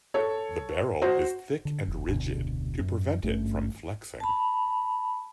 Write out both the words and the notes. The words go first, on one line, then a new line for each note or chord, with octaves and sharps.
The barrel is thick and rigid, to prevent it from flexing.
A4 C#5
F#4 C5
D3
F1
F1 D2 B2
F#2
G#1 G2 A3 C#4
A5 B5